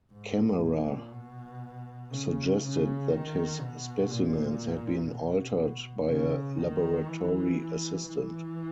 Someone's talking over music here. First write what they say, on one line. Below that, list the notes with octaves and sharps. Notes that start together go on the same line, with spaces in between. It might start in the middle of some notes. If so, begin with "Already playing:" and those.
Kammerer suggested that his specimens had been altered by a laboratory assistant.
G#2
A#2
B2
C#3
C#3
D#3
B2
A#2
B2
C#3
D#3
E3
E3